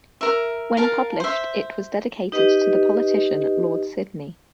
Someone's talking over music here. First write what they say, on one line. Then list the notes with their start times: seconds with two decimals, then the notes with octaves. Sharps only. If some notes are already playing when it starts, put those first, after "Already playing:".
When published it was dedicated to the politician Lord Sydney.
0.21 A#4 E5
0.77 A#4 F5 A5
1.20 C5 E5
2.32 D#4 G4 B4 D#5